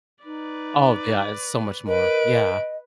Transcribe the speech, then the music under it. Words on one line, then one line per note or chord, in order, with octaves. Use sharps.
Oh, yeah, it's so much more, yeah.
D#4 B4 D5
A#4 B4 D#5 D7